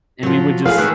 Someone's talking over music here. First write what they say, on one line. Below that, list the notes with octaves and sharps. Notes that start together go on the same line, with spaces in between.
and we would just
F3 F#3
G#4 B4 F5
A2 D#3 F#6